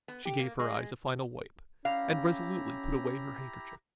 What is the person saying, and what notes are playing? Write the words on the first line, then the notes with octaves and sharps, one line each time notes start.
She gave her eyes a final wipe, and resolutely put away her handkerchief.
B3
G4
A#3
G#3
C#4 E4 G4 F5 A#5